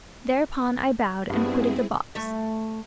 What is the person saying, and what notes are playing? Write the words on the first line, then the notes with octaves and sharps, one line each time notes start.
Thereupon I bowed and quitted the box.
G2 G3 B3 C4 E4 G#4
A3 E5